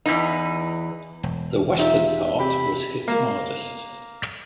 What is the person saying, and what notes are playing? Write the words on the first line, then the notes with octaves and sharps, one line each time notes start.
The Western part was hit hardest.
E2 E3 D#4
E1
D#4 F4 G4 E5
C3 G4 B5
A#3